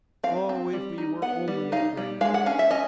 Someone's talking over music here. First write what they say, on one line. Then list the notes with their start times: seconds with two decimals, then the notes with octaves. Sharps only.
"Oh, if we were only at Granite House!"
0.23 C4 F5
0.49 C4
0.73 G3
0.98 D#4
1.22 B3 F#5
1.48 G3
1.72 D#4 F5
1.97 G3
2.21 G#3 F5
2.34 F#5
2.46 C#4 F5
2.59 E5
2.71 C#4 D#5